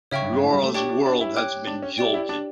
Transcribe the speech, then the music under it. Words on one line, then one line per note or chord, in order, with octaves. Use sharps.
Laura's world has been jolted.
C#3 C#5 E5 G5 C#6
G2
G2
A2
G3
A3
D4 G4 C#5 G5 C#6
D4
D4
E4
C#5 G5 D6 F#6
D4
C#4
G4 D5 G5
E4
D4